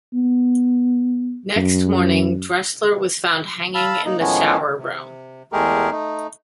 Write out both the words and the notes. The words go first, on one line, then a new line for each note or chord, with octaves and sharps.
Next morning Drechsler was found hanging in the shower room.
B3
F#2
F5 A5 B5 E6
A#3 D#4
A2 D#3 F3 G#3 B3 C#4
C3
E2 G#3 A3 G4 G#4 A#4
A3 D#4